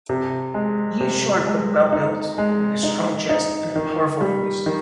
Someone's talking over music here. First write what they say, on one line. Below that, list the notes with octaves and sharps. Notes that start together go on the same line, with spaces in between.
He is short but well built, with a strong chest and a powerful voice.
C3
G#3
C3
G#3
D#4
G#3
D#4
D#4
D#3
G3
D#3